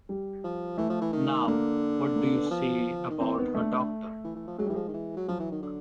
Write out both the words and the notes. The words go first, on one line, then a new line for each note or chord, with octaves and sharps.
Now, what do you say about her doctor?
G3
F3
E3 A3
F3
E3
D#3
D3 A#3
A#3
B3
F3
D#3
E3 C4
D#3 B3
D3 A3
D3
E3
E3
F3
F#3 G#3
G3
E3
F3 G#3
D#3
E3
F#3
F3 F#3
E3
D#3
D3